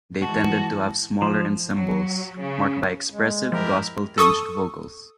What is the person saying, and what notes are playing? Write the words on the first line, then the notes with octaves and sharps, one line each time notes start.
They tended to have smaller ensembles marked by expressive gospel-tinged vocals.
E3 G#3 F#4 A5
F3
F#3
C#3
G#3
F3 E4 G4 A#4
A4 C#6 D#6